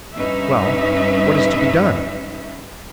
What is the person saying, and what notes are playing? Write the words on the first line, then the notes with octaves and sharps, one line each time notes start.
"Well, what is to be done?"
G2 C#4 D#4 B4 E5